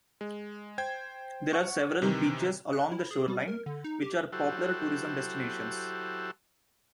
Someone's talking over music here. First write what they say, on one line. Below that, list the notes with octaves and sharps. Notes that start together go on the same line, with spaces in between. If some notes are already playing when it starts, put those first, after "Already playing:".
There are several beaches along the shoreline, which are popular tourism destinations.
G#3
C5 G5 G#6
F#5 C#6
C3 D#3 E3
F#6
E4
G#4
G3
A#4
D3
D#4
G4
F#3 E4 F#4 G4 A4 C5